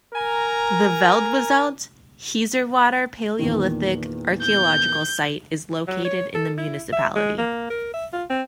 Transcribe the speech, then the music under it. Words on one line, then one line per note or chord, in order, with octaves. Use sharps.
The Veldwezelt-Hezerwater Palaeolithic archaeological site is located in the municipality.
A#4 G#5 A#5
E2 A#2 D#3
G6
F#3
C#5
A4
E4
E5
G#3
A#3
A#4
E5
F4
C4